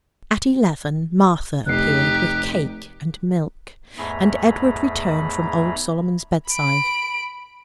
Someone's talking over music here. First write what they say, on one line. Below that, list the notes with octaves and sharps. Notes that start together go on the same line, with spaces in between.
At eleven Martha appeared with cake and milk, and Edward returned from old Solomon's bedside.
F1 D#4 G4 F#6 C7
E2 G#2 A3 G#4 A#5 B5
B5 D7